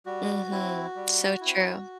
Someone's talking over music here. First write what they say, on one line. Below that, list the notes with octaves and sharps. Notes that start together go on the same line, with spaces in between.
Mhm, so true.
G3 F#4
C4 E4
G3
C4 E4